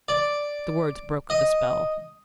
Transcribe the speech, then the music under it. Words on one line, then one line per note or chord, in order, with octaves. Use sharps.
The words broke the spell.
D5
D#5